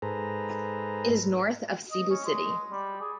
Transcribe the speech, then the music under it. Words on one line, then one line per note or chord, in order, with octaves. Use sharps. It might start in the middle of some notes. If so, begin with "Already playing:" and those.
It is north of Cebu City.
G#2 G#4 A4 B4 C5 A#5
D#5
C#4
G#3
G3
G#4